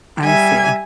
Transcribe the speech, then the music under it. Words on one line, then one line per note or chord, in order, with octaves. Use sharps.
I see.
G3 E5 G#5